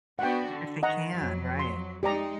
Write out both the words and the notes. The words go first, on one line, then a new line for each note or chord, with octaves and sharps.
If they can, right.
B3 D4 F#4 F#5 G5
D3
D#3 D#5 F#5 A#5
F2 F#3
C6
G#3 D#4 G4 D5 A#5